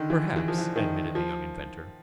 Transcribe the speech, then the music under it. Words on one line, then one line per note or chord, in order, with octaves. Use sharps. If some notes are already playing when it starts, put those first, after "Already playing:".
"Perhaps," admitted the young inventor.
Already playing: D3 D#3
E3
E3
F3
E3
D#3
F3